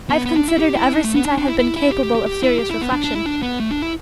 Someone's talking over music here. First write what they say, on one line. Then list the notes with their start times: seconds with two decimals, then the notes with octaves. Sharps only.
I have considered, ever since I have been capable of serious reflection.
0.10 B3
0.26 B3
0.37 D4
0.48 E4
0.59 G4
0.76 E4
0.93 D4
1.04 A3
1.15 B3
1.25 D4
1.37 D4
1.48 E4
1.59 E4
1.76 E4
1.92 G4
2.03 G4
2.15 G4
2.26 G4
2.43 E4
2.59 G4
2.71 E4
2.81 B3
2.92 D4
3.04 D4
3.15 E4
3.26 D4
3.42 B3
3.60 A3
3.71 D4
3.82 E4